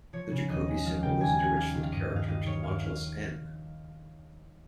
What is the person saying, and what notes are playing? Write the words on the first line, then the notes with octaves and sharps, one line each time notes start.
The Jacobi symbol is a Dirichlet character to the modulus "n".
F3 C#5
C#3
D#2 D#5
G#3
F3 F5
C#3 G5
D#2 G#5
G#3 G#5
G3 F5
D#3
F5
G2 D#5
G2
F5
G3 D#5
D#3 C#5
G2 F5
F5